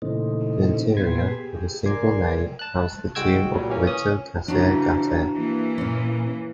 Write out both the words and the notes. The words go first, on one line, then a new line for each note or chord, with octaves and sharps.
The interior, with a single nave, houses the tomb of Ottavio Cesare Gaeta.
A#2 C#3 E3 A3 C4 D#4
A#2 B3 B5 C6 G#6
G4 G#4
A#4 D5 G#5 C6
A5 F#6
C2 G#3 F#4 G5 E6 G#6
A#2 F#3 G3
E3 A#3 C#4
C#4 D#6
C#3 E3 D4 F#4 A#5
E3 A#3
A#2 C#4